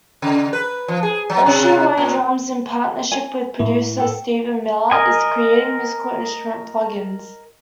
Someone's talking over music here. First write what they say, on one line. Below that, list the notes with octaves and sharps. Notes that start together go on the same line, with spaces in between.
Ocean Way Drums, in partnership with producer Steven Miller, is creating musical instrument plugins.
C#3
B4
F3
G#4
F#3
C3
A#2
G#5
A2 E4
A4 G5
A#4 D#5 G#5